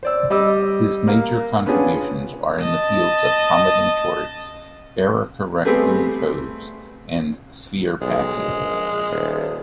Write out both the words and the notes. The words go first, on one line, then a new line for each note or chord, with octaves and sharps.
His major contributions are in the fields of combinatorics, error-correcting codes, and sphere packing.
C5 D5 E6
G3 D#5 D6 E6
A#3 A#4
B3 C#4 D4 F4 G#4
D#5 A5
G3 A3 B3 C4 G#4
B1 G#3
A#1
D#1